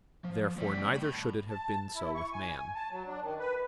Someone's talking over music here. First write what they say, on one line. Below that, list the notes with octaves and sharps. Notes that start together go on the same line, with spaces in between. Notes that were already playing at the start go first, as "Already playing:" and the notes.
Therefore neither should it have been so with man.
F3
D2 G3
A5 B5
A5
E4
C#6
G#5
A5
F#3
D4
D#3
B4